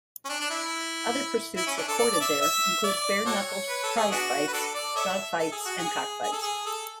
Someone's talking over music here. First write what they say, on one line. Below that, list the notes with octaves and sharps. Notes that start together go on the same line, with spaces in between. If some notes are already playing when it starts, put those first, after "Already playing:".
Other pursuits recorded there included bare-knuckled prize fights, dogfights and cockfights.
C#4
D4
D4
E4
E4
C#4
D4
A4
D5
D5
E5
E5
D5
F#4 A4 C#5
B4
A4
G#4
B3 D4 F#4
B4
D4 F#4 A4
D5
A4 C#5 E5
A4
G#4
F#4
G#4
G#4
A4
G#4
A4